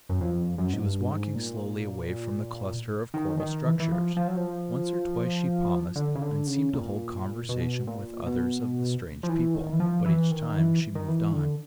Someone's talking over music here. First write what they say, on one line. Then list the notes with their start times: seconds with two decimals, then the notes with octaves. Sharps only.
She was walking slowly away from the cluster of coral structures. Once or twice she paused, and seemed to hold conversation with others of the strange people, but each time she moved on.
0.09 F#2
0.21 F2
0.58 F#2
0.73 G#2
0.84 G2
1.10 G#2
1.35 A#2
3.14 D#3
3.40 D#3
3.65 E3
3.80 E3
3.92 F3
4.17 F3
4.28 F#3
4.37 F3
5.96 D3
6.15 C#3
6.22 D3
6.47 C#3
6.73 A#2
7.49 B2
7.87 A#2
8.26 B2
9.23 F3
9.29 E3
9.54 D#3
9.72 E3
9.80 F3
10.06 E3
10.31 D#3
10.57 E3
10.95 D#3
11.08 E3
11.33 D3